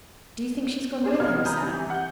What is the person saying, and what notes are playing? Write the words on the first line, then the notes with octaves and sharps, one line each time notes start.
"Do you think she's gone with him, sir?"
D4 G#4 C5
F1 B2 D#4 F5 F6 G#6
G#5 A#5 B5 D#6 G6
C3 E3
F#5 G6